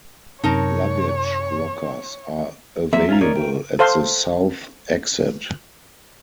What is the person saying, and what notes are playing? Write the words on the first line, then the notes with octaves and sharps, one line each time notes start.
Luggage lockers are available at the south exit.
F#2 C3 D#4 A#4 C#5 A5
F#3 A#3 C4 E5
C#4 F4 A#5
D#4 A#4 C#5 D5
G5
A4 C5 F5 C6